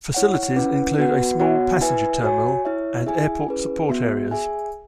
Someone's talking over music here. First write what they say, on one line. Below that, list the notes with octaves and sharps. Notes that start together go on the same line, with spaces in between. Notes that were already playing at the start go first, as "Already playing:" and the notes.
Facilities include a small passenger terminal and airport support areas.
E4 C#5 F#5
C#4 E4 B4 F#5
B3 F#4 B4 F#5
B3 F#4 C#5 F#5
E4 B4 E5 G#5
F#4 C#5 G#5
E4 C#5 E5
E4 G#4 E5 G#5
C#4 E4 G#4 B4
B3 F#4 E5
G#4 E5 G#5